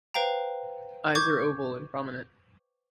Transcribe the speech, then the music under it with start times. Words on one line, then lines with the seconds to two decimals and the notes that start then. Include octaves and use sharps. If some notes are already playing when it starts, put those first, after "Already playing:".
Eyes are oval and prominent.
0.14 B4 C5 F5 G5 A#5
1.15 C#6 D6 G6 G#6